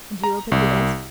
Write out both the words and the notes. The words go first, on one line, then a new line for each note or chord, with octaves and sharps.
"And you opened the desk?"
A#5
C2